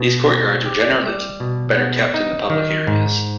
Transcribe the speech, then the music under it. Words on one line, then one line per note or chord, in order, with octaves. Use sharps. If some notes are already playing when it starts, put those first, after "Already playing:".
These courtyards were generally better kept than the public areas.
Already playing: B2 B3
C4
G4
G3
B2
B3
D#4
D#3
G#2